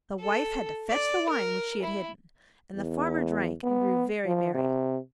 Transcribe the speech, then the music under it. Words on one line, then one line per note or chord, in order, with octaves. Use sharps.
The wife had to fetch the wine which she had hidden, and the farmer drank and grew very merry.
A4
D5
A#4
E4
E2
B3
F3
C3